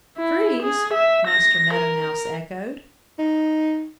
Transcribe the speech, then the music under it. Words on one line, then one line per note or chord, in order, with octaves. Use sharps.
"Trees!" Master Meadow Mouse echoed.
E4
G#4
E5
A#6
A#4
D#4